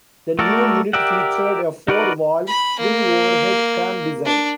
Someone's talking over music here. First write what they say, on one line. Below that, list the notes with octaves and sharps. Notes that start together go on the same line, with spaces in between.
The new unit featured a four-valve, twin overhead cam design.
A3 F#4 A4 A#4 D5
G4 A#4 D5 E5 F#5
D#4 F#4 A#4 B4 D5
B5
A#3
D4